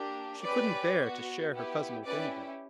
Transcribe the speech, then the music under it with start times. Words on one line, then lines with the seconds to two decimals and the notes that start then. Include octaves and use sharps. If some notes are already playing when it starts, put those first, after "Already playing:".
She couldn't bear to share her cousin with anybody.
Already playing: A#3 D4 G4
0.42 C#4 G4 B4 D5
0.97 B3 F#4
1.51 B3 E4 G4
2.05 C#4 E4 G4 B4 D5